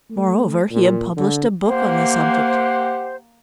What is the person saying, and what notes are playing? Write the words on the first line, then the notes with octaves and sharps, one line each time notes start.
Moreover, he had published a book on the subject.
A3
A#2
D3
A#3 G4 C5 F#5